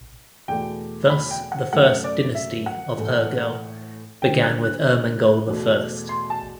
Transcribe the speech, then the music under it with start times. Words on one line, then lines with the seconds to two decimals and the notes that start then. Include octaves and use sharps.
Thus the first dynasty of Urgell began with Ermengol the First.
0.48 E2 B2 A3 G5
1.10 B5
1.31 G5
1.52 F#5
1.73 F#2 F#3 A3 F#5
2.04 D5
2.35 E5
2.66 F#5
2.97 A2 E3 A3
4.22 D2 D3 G3 G5
4.42 F#6
4.63 F#6
5.46 E2 B2 A3
6.09 C6
6.30 A5